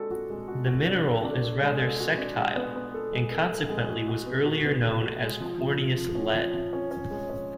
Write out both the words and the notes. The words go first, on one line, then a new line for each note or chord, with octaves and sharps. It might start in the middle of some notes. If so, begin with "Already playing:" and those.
The mineral is rather sectile, and consequently was earlier known as corneous lead.
Already playing: G#3 D4 F#4 A4
F#4
G#3
F#4
F#4
D4
A4
D4
A4
G#3
A4
F#4
D4
G#3
B3
B3
A4
G#3
A4
A4
G#3
F#4
F#4
B3
F#4
B3
A4
F#4
G#3
F3
F3
F3
F3
C#4
F3
F3
C#4
C#4
G#3
C#4